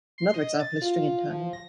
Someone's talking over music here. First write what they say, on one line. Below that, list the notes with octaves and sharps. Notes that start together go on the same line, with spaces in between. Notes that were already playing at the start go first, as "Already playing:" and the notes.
Another example is string interning.
C6
D#5
A6
F4
F3
A#6